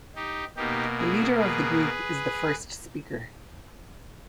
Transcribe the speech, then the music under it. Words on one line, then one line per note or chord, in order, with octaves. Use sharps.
The leader of the group is the First Speaker.
D#4 G4
B2 A#3 D#4 G4
E4 G#4
G#4 B4